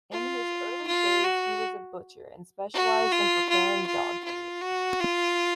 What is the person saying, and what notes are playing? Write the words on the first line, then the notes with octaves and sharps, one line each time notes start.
In his early days, he was a butcher and specialised in preparing dog meat.
F4
F4
F#4
F#4
F4
F4
F4
F4
F#4
F4